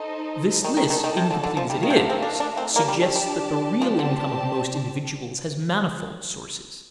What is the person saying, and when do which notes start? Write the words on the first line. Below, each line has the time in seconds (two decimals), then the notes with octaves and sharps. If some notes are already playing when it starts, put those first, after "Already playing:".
This list, incomplete as it is, suggests that the real income of most individuals has manifold sources.
Already playing: D#4 A4 C5 D#5
0.64 D#3 D#4 A4 D5 A5
0.77 D#3
0.90 D#3
1.04 D#3
1.17 C3
1.31 D3
1.44 D3
1.57 F3
1.70 G3 A3 D#4 A#4 F5 A5
1.83 D#3
1.90 C3
1.97 D3
2.10 C4
2.22 D4
2.40 D4
2.57 C4
2.76 A#3 D4 G4 D5 A5
2.88 G3
3.02 A3
3.16 G3
3.82 F3 C4 G4 D5 A5
3.99 D3